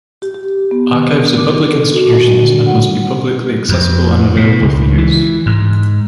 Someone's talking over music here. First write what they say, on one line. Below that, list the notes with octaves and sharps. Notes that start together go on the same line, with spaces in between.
Archives are public institutions and must be publicly accessible and available for use.
G4
G4
B3
D#3
A#4
D6
A4
F#4
A#2
G3
D3
F#5
F2
B2
C#2
E3
G#2